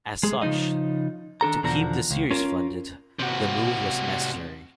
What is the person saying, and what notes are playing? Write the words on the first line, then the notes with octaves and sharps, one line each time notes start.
As such, to keep the series funded, the move was necessary.
G#3 G#4
C#3 F3 D#4 D#5
D#3 D4 A4 A#5
E2 B2 D3 F3 D4 A#5
C#2
C#4 F4 A#4
C3 F#4